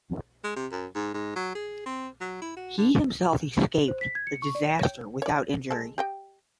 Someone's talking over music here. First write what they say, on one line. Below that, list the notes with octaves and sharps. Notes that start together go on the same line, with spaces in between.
He himself escaped the disaster without injury.
G#3
C3
F#2
G#2
G#2
F#3
G#4
C4
F#3
E4
F#4
D3
C5
B6
G#6
C#7
C#6
D5
C#5 G5
C#5 D5
G#3 A4
G4 D#5 G5